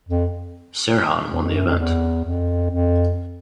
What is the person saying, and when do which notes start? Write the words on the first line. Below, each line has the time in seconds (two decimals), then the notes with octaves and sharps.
Serhan won the event.
0.09 F2
1.32 E2
1.43 F2
1.56 F#2
1.67 F2
1.79 E2
2.24 F2
2.71 F2